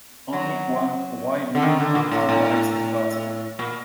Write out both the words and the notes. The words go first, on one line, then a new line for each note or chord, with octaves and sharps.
Only one Y-wing survives the battle.
F#3
D3
D#3
D3
A#2
A2
A2
A#2